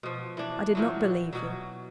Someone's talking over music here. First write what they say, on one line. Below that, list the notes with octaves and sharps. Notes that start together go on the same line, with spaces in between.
I did not believe you.
B2 F3
E3 D4
A#2 E3 F#3
B2 F#3